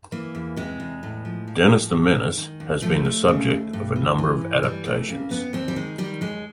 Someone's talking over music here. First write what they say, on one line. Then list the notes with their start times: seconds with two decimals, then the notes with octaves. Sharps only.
"Dennis the Menace" has been the subject of a number of adaptations.
0.12 E3 A#3
0.35 E2
0.56 C3 G#3
0.80 E2
1.03 A2
1.25 F3
1.47 F3
1.70 A2
1.92 D#2
2.15 D#3
2.37 D#3
2.60 D#2
2.82 F3 A3
3.05 D#2
3.28 C#3
3.50 D#2
3.73 G2
3.96 E3
4.18 E3
4.41 G2
4.63 E3 G3
4.85 F2 A3
5.08 C#3 A#3
5.30 F2 B3
5.53 D#2 C4
5.68 G3
5.76 D#3 G#3
5.98 D#3 G3
6.21 D#2 G#3